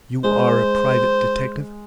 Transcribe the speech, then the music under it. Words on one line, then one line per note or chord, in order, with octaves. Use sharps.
"You are a private detective?"
G#3 C5